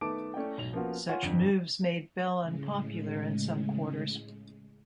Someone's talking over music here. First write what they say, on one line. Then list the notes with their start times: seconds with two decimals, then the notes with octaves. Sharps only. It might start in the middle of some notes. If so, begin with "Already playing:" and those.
Such moves made Bell unpopular in some quarters.
0.01 D#3 A3 B3 A5 D6 D7
0.34 A3 C#4 E4 D5 G5
0.58 B1 G#2 F7
0.73 F3 A#3 B3 C#4 F4 F#4
1.09 F4 C#5 F#5 G#5
1.23 G1 F2 D4
2.41 A2 C#3 G#3